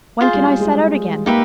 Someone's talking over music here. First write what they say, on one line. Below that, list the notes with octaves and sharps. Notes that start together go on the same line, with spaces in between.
"When can I set out again?"
F4 G#4 C5
G3
G3
G#3
A#3 D#4 G4 B4 E5